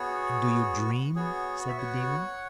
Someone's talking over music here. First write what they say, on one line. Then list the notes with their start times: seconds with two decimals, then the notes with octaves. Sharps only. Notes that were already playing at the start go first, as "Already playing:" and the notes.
"And do you dream?" said the daemon.
Already playing: B3 F#4 G#4 C#5
1.15 B3 F#4 G#4 C#5
1.69 E5
1.78 C#5 F#5